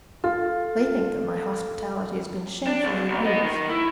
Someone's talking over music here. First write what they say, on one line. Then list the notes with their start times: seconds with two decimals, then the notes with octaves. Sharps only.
They think that my hospitality has been shamefully abused.
0.24 F4 A4
2.67 D4
2.84 C#2
3.08 B1
3.24 B3 D#5
3.43 D#3
3.69 E4